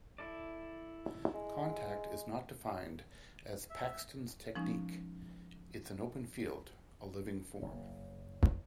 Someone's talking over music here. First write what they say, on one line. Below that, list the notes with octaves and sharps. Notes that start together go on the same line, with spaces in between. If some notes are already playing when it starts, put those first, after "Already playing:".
Contact Is not defined as "Paxton's technique", it's an open field, a living form.
E4 A4 D5
G#3
E5
F3 G#3 C#4 D#4
F#1